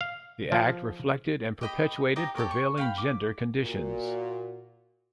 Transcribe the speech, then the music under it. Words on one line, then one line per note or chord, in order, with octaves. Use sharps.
The act reflected and perpetuated prevailing gender conditions.
F5
F3
G4 D#5 B5
D#4 G4 D#5
G4 A4 A#4 C#5
C#6
F5 G5 B5
D6
A#2 F#4